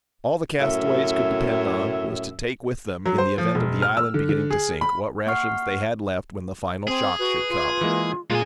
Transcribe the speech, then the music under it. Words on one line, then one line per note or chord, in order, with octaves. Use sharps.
All the castaways could depend on, was to take with them, in the event of the island beginning to sink, what rations they had left when the final shock should come.
F#2 A2 E5
F#3
C5
F3
E1
F6
E6
D3
D3
G#4
B5
A#3 F#5 C#6 F6 C7
C4 G#4
F#4 B4
F4
E3 G#3 A#3
A#2 G#3 F4 G#4 G#5